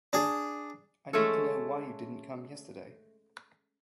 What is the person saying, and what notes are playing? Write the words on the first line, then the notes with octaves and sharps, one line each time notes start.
I need to know why you didn’t come yesterday.
D4 G#4
G#3 A3 C#4 A4